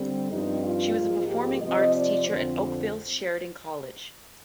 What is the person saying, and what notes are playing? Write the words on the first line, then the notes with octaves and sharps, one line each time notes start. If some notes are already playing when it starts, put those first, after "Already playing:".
She was a performing arts teacher at Oakville's Sheridan College.
Already playing: D3 G3 C4
G2 F3 C4 D#4
F4
G#2 F3 A#3
G4
C3 F3 C4 D#5
D5
F2 D3 F3 C4 C5